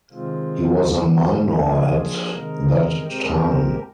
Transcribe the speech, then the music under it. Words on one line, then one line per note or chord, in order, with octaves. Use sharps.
He was a minor at that time.
C3 D#3 G#3 C4 F4
D3 G3 A#3
F3 A#3 D4 F4 G#4
C3 D#3 G#3 D#4 A#4
G#3 C4 G4 A#4